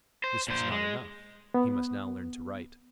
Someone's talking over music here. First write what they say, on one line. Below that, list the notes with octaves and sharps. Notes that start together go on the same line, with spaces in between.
This was not enough--he must now learn to write.
C5
A#2 C5
G#3
B3